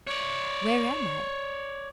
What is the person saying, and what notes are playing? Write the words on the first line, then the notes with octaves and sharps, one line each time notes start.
"Where am I?"
C#5 D5